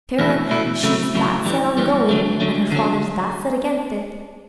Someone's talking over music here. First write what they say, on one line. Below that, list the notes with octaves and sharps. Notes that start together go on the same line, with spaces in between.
Clara, she's that set on goin', an' her father's that set against it.
E2 B2 A3 E4
E2 B2 A3 E4
C#3 F#3 A3 E4
C#3 F#3 A3 E4
G2 E3 G3
G2 E3 G3
D3 F#3 A3
D3 F#3 A3
D3 F#3 C#4